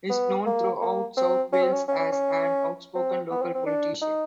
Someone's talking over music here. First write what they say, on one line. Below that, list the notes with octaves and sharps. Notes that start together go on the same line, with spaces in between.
He is known throughout South Wales as an outspoken local politician.
B3
A#3
A#3
C4
C#4
C4
C#4
C#4
C#4
C#4
C4
B3
C4
C4
D4
D#4